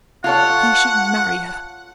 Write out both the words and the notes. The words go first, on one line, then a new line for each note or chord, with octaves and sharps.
He should marry her.
F4 A4 C#5 F#5